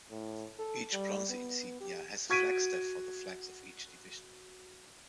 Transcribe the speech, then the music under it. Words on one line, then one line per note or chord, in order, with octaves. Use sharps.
Each bronze insignia has a flagstaff for the flags of each division.
A2
A4
G3
B3
G4
F#4 C#6 G#6 B6 D7 D#7